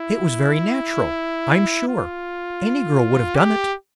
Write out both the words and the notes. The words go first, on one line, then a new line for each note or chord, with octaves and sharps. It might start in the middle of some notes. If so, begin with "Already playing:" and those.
It was very natural, I'm sure; any girl would have done it.'
Already playing: E4
F4
G4